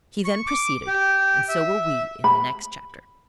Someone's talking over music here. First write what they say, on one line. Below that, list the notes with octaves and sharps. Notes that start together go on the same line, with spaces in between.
He then proceeded, and so will we in the next chapter.
C#6
D6
G4
E5
B5